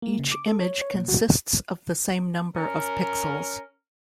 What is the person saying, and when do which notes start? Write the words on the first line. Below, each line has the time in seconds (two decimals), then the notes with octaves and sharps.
Each image consists of the same number of pixels.
0.02 A#3
0.19 C#3
0.32 D6
0.48 A4
0.60 C#5
0.81 C#5
0.95 A#2
1.08 F#4
2.56 C#4 A#4